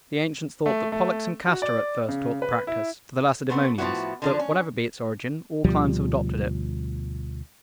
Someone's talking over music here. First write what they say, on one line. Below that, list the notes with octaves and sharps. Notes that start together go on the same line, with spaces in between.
The ancients thought that Pollux and Castor at first taught the practice to the Lacedaemonians; but, whatever be its origin, all climes have adopted it.
A3
A3
F#4
D5
C#3
B4
E4
A3 B3 C4
A2 F3 F#3 B3 E4 F#4
D3 F3 D4
C#4
D2 B2 F3 G3